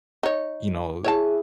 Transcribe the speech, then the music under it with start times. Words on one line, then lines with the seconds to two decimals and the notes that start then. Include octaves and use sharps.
you know,
0.23 D#4 C#5
1.04 E4 G#4 C#5 E5 A5